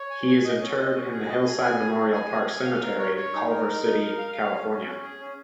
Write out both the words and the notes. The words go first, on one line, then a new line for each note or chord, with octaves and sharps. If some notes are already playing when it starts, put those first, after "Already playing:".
He is interred in the Hillside Memorial Park Cemetery in Culver City, California.
Already playing: C#5
G#5
G#5
D#5
C#4
D#5
C#4
G#4
D#5
G#4
G#5
G#4
G#4
G#5
G#4
G#5
F5
A#4
C#5
C#5
D#4
A#4
D#4
D#4
A#4
F5
F5
C#4
C#4
C#4
G#4
C#4